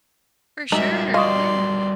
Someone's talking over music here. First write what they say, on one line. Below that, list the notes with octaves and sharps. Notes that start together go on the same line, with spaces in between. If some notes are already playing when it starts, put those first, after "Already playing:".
For sure, yeah.
G3 G#3 D#4 F#4 A#4 E5
F4 D5 D#5 C6 C#6 D#6